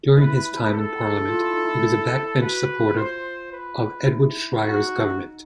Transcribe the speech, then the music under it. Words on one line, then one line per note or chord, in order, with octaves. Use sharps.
During his time in parliament, he was a backbench supporter of Edward Schreyer's government.
E4 B4
A4
F4
E4
D#4
E4
F#4 B4
F4 C5
B4
D#4
E4
D#4 F#4